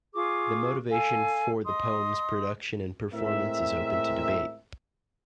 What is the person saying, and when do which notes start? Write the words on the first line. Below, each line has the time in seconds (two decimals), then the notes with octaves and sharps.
The motivation for the poem's production and performance is open to debate.
0.14 F4 G#4 C#6 D6
0.90 A4 F5 G#5
1.65 D#5 C6 D#6
3.14 A2 G#3 C4 A#4 E5